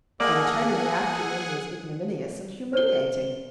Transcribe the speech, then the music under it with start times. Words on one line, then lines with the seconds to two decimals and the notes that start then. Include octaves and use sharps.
A return in the afternoon is ignominious and humiliating.
0.20 A#3 G#4 A4 D5 D#5 F#5 G#5
2.73 C5 G7